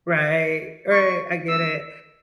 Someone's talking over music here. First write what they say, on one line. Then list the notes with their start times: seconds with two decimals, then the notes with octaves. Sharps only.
Right, right, I get it,
0.92 C#6
1.49 E6